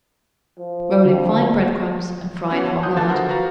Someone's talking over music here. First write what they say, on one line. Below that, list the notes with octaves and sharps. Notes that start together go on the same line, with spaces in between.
Roll in fine bread-crumbs and fry in hot lard.
F3
F2 D3
B3 C#4 F#4
C#5 F#5 A5
D#6 F#6 G6
D2 D3 E3 A5 A6
F4 F#4 A4 A#4 C5 F#5
F#4 B4 F5 A#5 A6